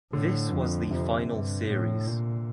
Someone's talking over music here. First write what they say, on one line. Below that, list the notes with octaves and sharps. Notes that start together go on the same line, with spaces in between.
This was the final series.
A2 D3
F2
F2 C3
G2
A2
A#2